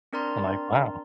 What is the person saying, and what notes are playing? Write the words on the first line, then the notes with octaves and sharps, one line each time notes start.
I'm, like, "Wow.
C4 D4 A#4 D5 A#5 C6